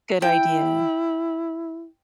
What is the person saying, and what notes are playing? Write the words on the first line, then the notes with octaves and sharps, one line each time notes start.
Good idea.
E4 G5